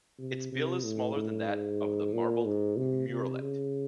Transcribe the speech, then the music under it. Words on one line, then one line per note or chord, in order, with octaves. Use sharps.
Its bill is smaller than that of the marbled murrelet.
C3
C3
A2
A2
G#2
A#2
G#2
C3
C3
C#3